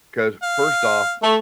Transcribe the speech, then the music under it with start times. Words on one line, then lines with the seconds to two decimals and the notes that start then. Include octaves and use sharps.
'cause first off,
0.43 F5
1.23 A3